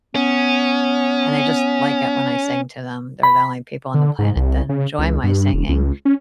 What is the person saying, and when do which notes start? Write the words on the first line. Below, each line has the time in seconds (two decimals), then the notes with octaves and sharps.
and they just like it when I sing to them, they're the only people on the planet that enjoy my singing
0.15 B3 C#4
3.23 B5
3.94 D3
4.19 G#2
4.36 C2
4.69 C#3
4.99 C#2
5.23 G2
5.53 E1
5.69 C#2
6.05 C#4